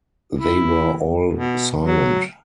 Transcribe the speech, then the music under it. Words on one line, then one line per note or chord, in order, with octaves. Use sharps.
They were all silent.
E4
B2
F#3